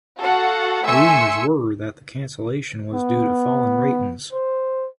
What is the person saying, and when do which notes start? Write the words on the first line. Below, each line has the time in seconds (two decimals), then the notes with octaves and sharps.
Rumours were that the cancellation was due to falling ratings.
0.19 F#4 A4 F5 F#5
0.86 A3 E5 G#5 C6 E6 C#7
2.94 B3
4.33 C5